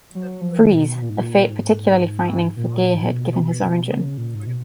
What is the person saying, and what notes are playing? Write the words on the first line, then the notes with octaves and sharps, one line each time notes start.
Freeze, a fate particularly frightening for Gearhead given his origin.
F#3
F3
D#3
A#2
B2
B2
A#2
G#2
A#2
G#2
A#2
G#2
A#2
B2
B2
C#3
A#2
G#2
B2